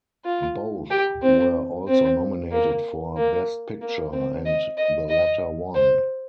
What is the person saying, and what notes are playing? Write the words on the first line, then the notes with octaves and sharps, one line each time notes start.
Both were also nominated for Best Picture, and the latter won.
F4
G4
C4
C4
A#3
A#3
A#3
C4
D#5
D#5
D#5
C5